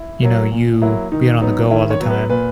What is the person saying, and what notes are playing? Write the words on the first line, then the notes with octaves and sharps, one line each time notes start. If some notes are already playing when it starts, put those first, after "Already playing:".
you know, you being on the go all the time,
Already playing: E4
F#3 A#3
A#2
F#3 A#3 E4
D#3 D#4
F#3 B3 D#4
D#3 E4
C#5
F#3 B3
B4
A#2 B4